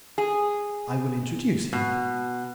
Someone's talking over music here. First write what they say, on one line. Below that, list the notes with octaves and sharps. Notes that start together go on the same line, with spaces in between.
"I will introduce him."
G#4
B2